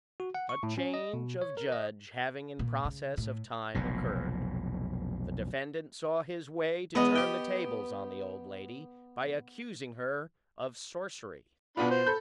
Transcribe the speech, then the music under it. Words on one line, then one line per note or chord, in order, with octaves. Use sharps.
A change of judge having in process of time occurred, the defendant saw his way to turn the tables on the old lady by accusing her of sorcery.
F#4
F#5
C#6
A2
C#4
D#5
B2
C#5
A#4
D#5
A#2
C#3
A2
F1 B1 A#2
E2 G#3 B3 D#5
G4 G5
B2 B3 D4 F4 B5
C5
A4 B5 G6